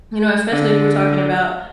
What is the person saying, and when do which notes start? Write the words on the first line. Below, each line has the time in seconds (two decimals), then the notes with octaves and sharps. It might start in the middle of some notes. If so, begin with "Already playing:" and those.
You know, especially if we're talking about
0.52 D3